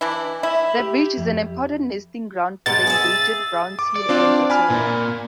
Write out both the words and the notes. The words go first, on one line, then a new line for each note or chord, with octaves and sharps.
The beach is an important nesting ground for the endangered brown teal and dotterel.
E3 D4 E4
E4 E5
G4
F2
G#2 B2 E3 A6
G#4 E5
D6
D5
C4 D4 F4
G#5 B5 F6
A#2